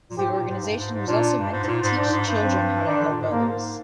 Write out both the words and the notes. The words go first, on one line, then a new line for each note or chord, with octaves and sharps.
The organization was also meant to teach children how to help others.
A#2
G#2 G4
A#2
G#2
G2
G#2
G#2
A#2 D4
G2
G#2
G#2
A#2
G#2
G#2 D4
G#2
G2
C4
D#3 D4
D3
A#2
G#2
G#2 A#3